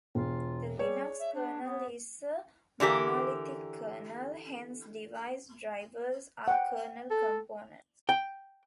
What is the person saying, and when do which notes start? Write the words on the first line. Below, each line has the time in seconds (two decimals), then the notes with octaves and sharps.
The Linux kernel is a monolithic kernel, hence device drivers are kernel components.
0.15 E1 F4
0.77 G3 G#4 C#5 D5
1.19 E5
1.34 D4
1.64 B3
2.80 D3 E3 G4 A#4
6.48 F#5 G5
7.10 A4
8.09 G5